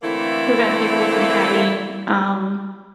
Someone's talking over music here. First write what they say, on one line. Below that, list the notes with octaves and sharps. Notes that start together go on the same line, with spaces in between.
prevent people from having, um,
D3 E3 A3 A#3 C4 E4